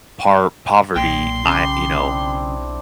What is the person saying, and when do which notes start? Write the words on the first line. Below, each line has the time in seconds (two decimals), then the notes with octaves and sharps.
par poverty, I you know,
0.96 B1 A#2 G5 C6
1.45 C#3 G4
1.96 C4 D4 E4